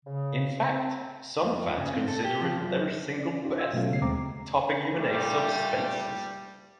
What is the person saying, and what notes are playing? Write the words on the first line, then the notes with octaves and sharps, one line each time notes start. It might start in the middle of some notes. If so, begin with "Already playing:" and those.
In fact, some fans consider it their single best, topping even "Ace of Spaces".
C#3
C4
F2
C#3
C4
A4
G4
F3
F#2
C#4 D5
C#4 D#4 F4 G4
F4 D#5 E6 G#6
B2 F#3 A3 C#4 F5
C#3 B3 C7
D#2 G#3 C4 A#5 D6
A#2 D3 G3 A3